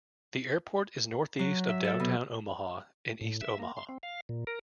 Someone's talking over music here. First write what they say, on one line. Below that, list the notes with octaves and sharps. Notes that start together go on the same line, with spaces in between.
The airport is northeast of downtown Omaha in east Omaha.
F#3
E5
A4
B2
A2
E5
A#3
C6
C4
F5
A#2
A#4